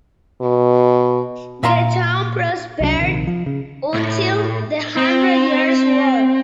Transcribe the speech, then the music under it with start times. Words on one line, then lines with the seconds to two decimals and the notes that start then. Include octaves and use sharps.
The town prospered until the Hundred Years' War.
0.41 B2
1.63 A#2 E5 F5 A#5 C6
2.81 C2 F#3 G3 D4
2.98 A#1 C3 D#3
3.27 F3
3.46 C#3
3.94 A2
4.97 C4